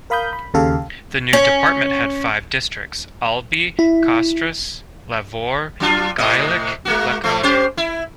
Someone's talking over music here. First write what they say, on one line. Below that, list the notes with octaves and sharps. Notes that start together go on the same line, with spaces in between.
The new department had five districts: Albi, Castres, Lavaur, Gaillac, Lacaune.
A#4 F5 B5 D#6 G6
B5
D#2 C#3 G4 A4 F5
C#4
E4
F#3 D4 F4
A2 C3 D#5
G#3 A#3 F#4
F3 A3
C#4 G4 C5
E4